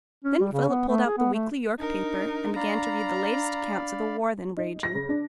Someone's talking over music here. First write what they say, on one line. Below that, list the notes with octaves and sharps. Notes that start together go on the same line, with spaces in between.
Then Philip pulled out the weekly York paper, and began to read the latest accounts of the war then raging.
C#4
G3
C#3
B3
A3
G#4
B3
A3
D4 D#4 A#4
D5 F5 A#5 B5
D#4
A#6
C#3
D4